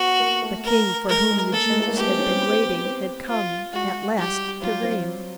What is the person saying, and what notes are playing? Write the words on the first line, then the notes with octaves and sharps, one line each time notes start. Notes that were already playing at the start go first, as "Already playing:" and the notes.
The king for whom the Jews had been waiting had come at last to reign.
Already playing: B3 F#4
A#3
A3
A#4
G#3 A#4
G#3
A#3 A4
G#3
A3
A#3
B3 G4
C4
C#4
C4
B3
C4
C4
C4
F4
G#3 F#4
G3 G4
F#3 F4
C4